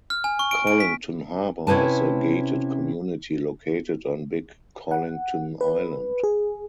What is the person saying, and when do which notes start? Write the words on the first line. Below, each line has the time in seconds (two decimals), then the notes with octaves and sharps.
Colington Harbour is a gated community located on Big Colington Island.
0.10 F6
0.24 G#5
0.39 C#6
0.51 D7
0.67 D7
0.80 B6
1.67 C3 C#4 E4 B4 A5
4.91 F#5
5.61 B4
6.23 G#4